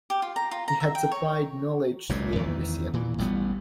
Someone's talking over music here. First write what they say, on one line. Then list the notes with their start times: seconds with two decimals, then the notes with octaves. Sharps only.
He had supplied knowledge to the omniscient.
0.10 G4
0.22 F4
0.36 A#5
0.51 F4
0.68 A#5
0.80 E5
0.95 G5
1.12 C#5
2.09 F#1 C#2 F#2 A#2
2.36 E2 D#3 E3
2.93 A#2 E3
3.18 A1 G3 B3